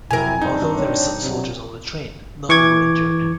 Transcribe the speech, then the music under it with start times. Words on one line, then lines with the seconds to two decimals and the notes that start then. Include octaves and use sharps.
Although there were some soldiers on the train, none were injured.
0.11 F2 C3 F#3 E4 A#4 G#5
0.42 G2 C4 D4 D#4
0.78 C#5
1.22 C3 F#3
2.49 E3 C#6 D6 G#6